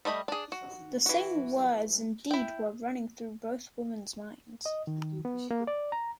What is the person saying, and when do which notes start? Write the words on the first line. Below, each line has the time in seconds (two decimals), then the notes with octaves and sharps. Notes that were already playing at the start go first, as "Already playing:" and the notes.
The same words, indeed, were running through both women's minds.
0.05 G3 A3 D#5 B5
0.28 D4 G#4
0.52 F#4
1.06 E3 F#4
2.31 E4 G5
4.66 D#5
4.87 D#3
5.25 B3
5.51 A#3
5.67 D5
5.92 A#5